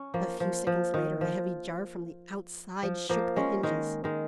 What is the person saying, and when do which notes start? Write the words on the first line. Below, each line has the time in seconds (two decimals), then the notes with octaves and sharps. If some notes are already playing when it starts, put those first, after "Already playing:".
A few seconds later a heavy jar from the outside shook the hinges.
Already playing: C#4
0.14 F3 A#3
0.40 F3
0.67 F3
0.94 D#3
1.21 F3
2.83 F3
3.09 F3 A#3
3.36 G#3 C#4
3.63 D#3 G#3
4.04 D#3 G#3